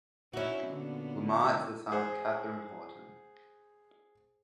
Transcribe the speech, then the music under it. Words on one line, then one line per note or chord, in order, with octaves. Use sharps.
Lamar is the son of Catherine Horton.
C#4 D#4 E4 F#4
A#2 D3 B3
G#4 C5 F#5